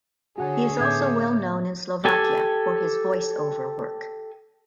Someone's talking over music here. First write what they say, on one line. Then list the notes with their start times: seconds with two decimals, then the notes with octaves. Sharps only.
He is also well known in Slovakia for his voice-over work.
0.38 D3 F#4 G#4 A4 C#5 F#5 G#5
0.80 A2 B3 E5 D6 G6 G#6
2.05 G4 A4 G#5